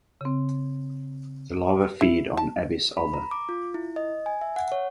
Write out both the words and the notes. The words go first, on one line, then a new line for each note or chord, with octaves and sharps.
The larvae feed on "Abies alba".
C#3 C4
E4
A5
B5
A#5
D6
F4
E4
D#5
G#5
E5
F#5
C#5